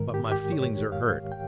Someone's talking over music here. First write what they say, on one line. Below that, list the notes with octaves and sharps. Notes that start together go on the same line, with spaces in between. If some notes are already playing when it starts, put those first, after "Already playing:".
But my feelings are hurt.
Already playing: G#2 D#3 G#3 A#4
G4
G4
C#5
F5
G5